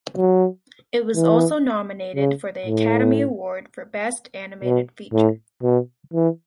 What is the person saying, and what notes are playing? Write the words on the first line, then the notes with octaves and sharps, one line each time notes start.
It was also nominated for the Academy Award for Best Animated Feature.
F#3
E3
C#3
A2
B2
A2
B2
E3